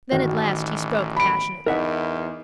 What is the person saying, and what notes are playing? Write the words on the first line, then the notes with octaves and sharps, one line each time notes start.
Then at last he spoke passionately.
A1 D#3 F#4
B5 D7
E2 D#4 A#4 E5 F#5